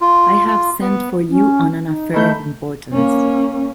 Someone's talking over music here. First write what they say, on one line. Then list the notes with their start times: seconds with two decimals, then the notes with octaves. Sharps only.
I have sent for you on an affair of importance.
0.01 F4
0.46 F4
0.81 B3
1.29 C#4
1.86 D#4
2.14 D#3 A3 B5 G6
2.93 A#3 C#4